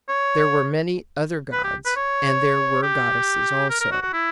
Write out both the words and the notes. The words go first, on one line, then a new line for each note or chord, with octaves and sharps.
There were many other gods; and there were goddesses also.
C#5
B4
G4
B4
C#5
G4
A#4
A#4
F#4
F#4
E4